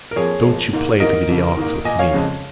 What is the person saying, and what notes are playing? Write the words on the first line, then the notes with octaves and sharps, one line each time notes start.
Don't you play the giddy ox with me!
A#4
F2 F3 A#3 G#4 C#5
A#2 F3 G#3
G#2 D#3 A#3
G#2 D#3 A#3 A#4 D#5
F2 C#3 F3
G#2 D#3 A#3
A#2 A#3 D#5 G#5
C#5 F5
F2 C#3 F3 G#3